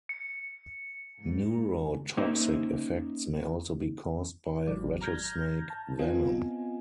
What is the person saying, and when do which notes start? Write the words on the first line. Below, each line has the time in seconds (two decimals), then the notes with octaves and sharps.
Neurotoxic effects may also be caused by rattlesnake venom.
0.09 C#7
1.19 G#2
2.17 A#3 C#4 D#4 C5 E5
4.67 G#1 G#2 F#3 D5
5.01 A#5 F6 G6 G#6 A#6
5.70 A5
5.99 B3 C4 F4 D#5 G#5